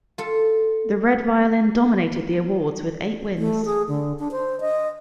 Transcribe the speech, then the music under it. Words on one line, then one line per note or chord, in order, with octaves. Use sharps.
"The Red Violin" dominated the awards, with eight wins.
F4 A4
A3
G#4
D3
D4
C5
D#5